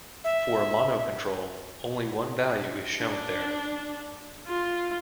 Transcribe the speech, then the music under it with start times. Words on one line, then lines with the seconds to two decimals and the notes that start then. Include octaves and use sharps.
For a mono control, only one value is shown there.
0.24 E5
2.99 D4
4.47 F4